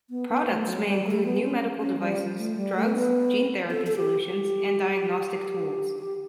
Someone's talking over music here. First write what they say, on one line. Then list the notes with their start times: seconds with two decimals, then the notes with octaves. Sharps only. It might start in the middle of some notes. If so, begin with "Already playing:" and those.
Products may include new medical devices, drugs, gene therapy solutions and diagnostic tools.
0.10 B3
0.29 B3
0.47 A3
0.66 F#3
0.85 G3
1.05 A3
1.24 B3
1.43 C#4
1.81 C#4
1.99 G3
2.37 A3
2.56 G3
2.75 A3
2.95 B3
3.71 A4
3.87 A4
3.96 G4
4.22 G4
5.99 G4